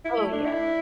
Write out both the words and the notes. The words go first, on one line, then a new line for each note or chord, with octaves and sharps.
Oh, yeah.
E4
A3
D4
E4